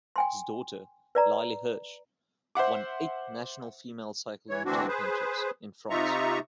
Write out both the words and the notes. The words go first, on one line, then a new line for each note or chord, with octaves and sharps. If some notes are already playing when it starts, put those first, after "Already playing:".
His daughter, Lyli Herse, won eight national female cycling championships in France.
G5 G#5 C6
B4 D5 A#5
C5 E5 F#5 D6
E3 C#5
D2 E3 C4 D4 F#4
G#4 B4 C5
C3 D#4 F4 E5 A#5 C#6